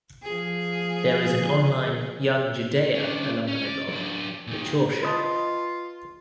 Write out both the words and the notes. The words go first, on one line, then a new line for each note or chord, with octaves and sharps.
There is an online Young Judaea alumni blog, the Chorsha.
F3 G#4
C#4 D4
C#4
D5
F#3 D4
A#2 D#3
F4 B4 D#5 A5